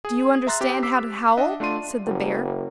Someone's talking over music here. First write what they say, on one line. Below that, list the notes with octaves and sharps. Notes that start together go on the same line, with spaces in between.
'Do you understand how to howl?' said the bear.
G#4
E5 A#5 C6 F#6 A6
C4 G4
D6 E6 B6 C7
D4 D#5 E5 F#5
A3 D4 F4 D5 C6 D#7
F#1